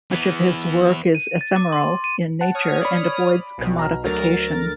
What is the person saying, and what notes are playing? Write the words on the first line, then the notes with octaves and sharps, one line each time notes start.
Much of his work is ephemeral in nature and avoids commodification.
E3 B3
D#7
A6
D6
C6
D#7
F#5 A5
C#5 D#6 F6
D5 B5
B1 B2
A#5 F6
D2 F#3 A#4 A6